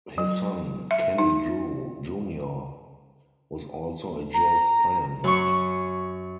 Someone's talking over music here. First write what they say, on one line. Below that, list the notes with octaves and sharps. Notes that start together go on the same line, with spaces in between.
His son, Kenny Drew, Junior was also a jazz pianist.
F#3
E5
D#4
A#5
F#2 C#6